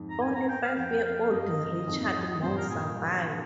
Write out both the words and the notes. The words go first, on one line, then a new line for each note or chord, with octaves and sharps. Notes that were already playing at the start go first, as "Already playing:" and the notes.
Only five-year-old Richard More survived.
Already playing: F2 G#2
A#5
G#5
A#5
G5
F5
F2 G5
F5
G5
F5
G2 D#5
F2 G#2
G2 A#2 C5
A#4
A#2 G#4